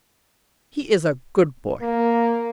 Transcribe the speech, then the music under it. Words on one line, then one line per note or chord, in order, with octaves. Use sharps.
He is a good boy.
A#3